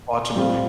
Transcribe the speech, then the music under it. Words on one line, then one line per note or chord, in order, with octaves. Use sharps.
Watch a movie.
G3 C4 F4